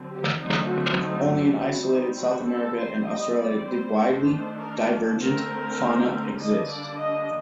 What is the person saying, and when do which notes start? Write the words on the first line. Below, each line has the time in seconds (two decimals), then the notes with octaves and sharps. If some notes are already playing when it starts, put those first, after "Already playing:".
Only in isolated South America and Australia did widely divergent fauna exist.
Already playing: D3 F#3 C4
0.11 G4
0.40 D3 F#3 A3 C4 D#4
0.70 F#4
1.01 D#4
1.31 G4
1.60 G3 C4 F#4
1.91 D#4
2.20 F#4
2.49 A4
2.80 G3 C4 C5
3.10 D#5
3.39 D5
3.69 C5
4.00 D#3 A3 D4
4.59 A#4
5.18 D3 A3 C4 A#4
6.08 A#4
6.38 D3 G3 A#3 D4 D#5
6.69 D5
6.99 D#5